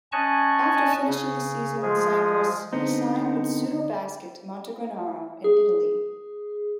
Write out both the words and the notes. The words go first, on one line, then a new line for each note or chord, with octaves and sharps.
After finishing the season in Cyprus he signed with Sutor Basket Montegranaro in Italy.
C#4 D#5 G#5 A5 C#6 F#6
C#3
F3 G#3 G#4
D3 B3 C4 D#4
G#4